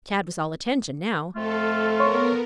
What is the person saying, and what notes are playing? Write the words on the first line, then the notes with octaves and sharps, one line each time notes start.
Tad was all attention now.
F2 A3 F4 A4
B3 A#4 C#5 C6 C#6